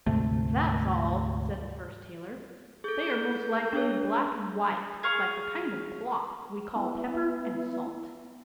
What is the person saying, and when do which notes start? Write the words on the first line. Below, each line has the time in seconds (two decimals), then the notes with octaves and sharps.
'If that's all,' said the first tailor, 'they are most likely black and white, like the kind of cloth we call pepper-and-salt.'
0.06 D2 G#2 C3 A3
2.84 G#4 A4 G6
3.73 D4 G#4 C#5
5.03 G#4 F5 C#6
6.76 B3 E4